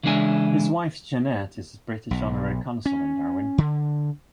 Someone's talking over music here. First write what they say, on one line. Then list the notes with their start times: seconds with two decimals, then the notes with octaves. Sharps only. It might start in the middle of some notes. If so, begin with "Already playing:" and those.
His wife Jeanette is British Honorary Consul in Darwin.
0.03 C#3 E3 G#3 D4 E4 G#5
2.11 B1
2.86 C#4
3.58 D3